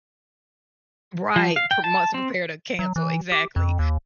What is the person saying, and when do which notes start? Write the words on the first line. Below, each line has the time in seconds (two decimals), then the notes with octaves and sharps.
Right. pro months are prepared to cancel. Exactly.
1.36 F3
1.56 F5
1.71 G5
1.84 A5
2.14 C4
2.79 F#3
2.96 E3
3.32 G4
3.56 F2
3.79 D#2